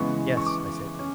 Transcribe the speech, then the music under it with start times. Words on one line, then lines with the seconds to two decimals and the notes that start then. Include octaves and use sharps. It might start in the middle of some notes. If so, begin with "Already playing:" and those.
"Yes," I said.
Already playing: C#3 E3 G#3 B3 C#6
0.37 C#6
0.46 D6
0.99 C#4